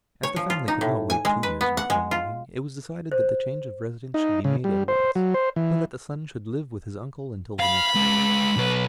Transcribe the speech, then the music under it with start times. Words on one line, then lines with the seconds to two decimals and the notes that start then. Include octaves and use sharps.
As the family could not wait two years before moving, it was decided that the change of residence should be made at once, but that the son should live with his uncle until the next year.
0.23 C#5
0.36 F3
0.50 F4
0.68 D#4
0.81 A2
1.10 G#5
1.25 G#3
1.43 B4
1.61 B3
1.77 F#5
1.90 G#3
2.11 F4
3.12 C5
4.14 D#4
4.44 C#3
4.64 G3
4.88 C5
5.15 F#3
5.34 C5
5.56 E3
7.60 F5 B5
7.95 G#3 F4
8.57 B1 B4